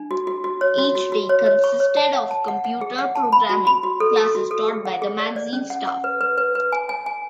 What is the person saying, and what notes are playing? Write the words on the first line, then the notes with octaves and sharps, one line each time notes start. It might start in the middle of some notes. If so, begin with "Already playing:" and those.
Each day consisted of computer programming classes taught by the magazine staff.
Already playing: D4
F#4
F#4
F#4
C#5
F#4
F#4
F#4
C#5
C#5
C#6
C#5
A5
F#5
A5
F#5
F#5
G#4
F#5
A5
B5
F#4
B5
F#4
A4
A4
F#4
A4
G#4
F#5
G#4
D5
D5
C#4
F#5
F#5
B4
B4
B4
B4
G#5
G#5
G#5